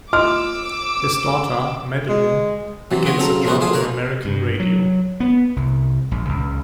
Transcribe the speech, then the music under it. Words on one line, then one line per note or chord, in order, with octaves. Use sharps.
His daughter, Madeline, begins a job in American radio.
F4 D#5 C6 D6 E6 F6
G#3
C3 E3 F#3
B3 F4 C#5
C#3 F#3 C4 A4 A#5
A#2 F3 G#3 B3 D#4 F#4
D2 D3 F3 F4 G#4 A5
A#4 B4 C#5 D5
G2
F#3
B3
C2
A#1
C#2